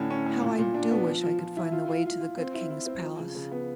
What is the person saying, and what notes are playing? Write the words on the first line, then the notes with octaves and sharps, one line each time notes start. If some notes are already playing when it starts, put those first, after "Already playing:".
How I do wish I could find the way to the good king's palace!
Already playing: A2 D3 C#4
C#4
A2
A#2
A#2
D4
B3
F3
F3
F3
E4
F4
F4
F4
F4
C4
E4
E4
C4
F3
C#3
C#3
B3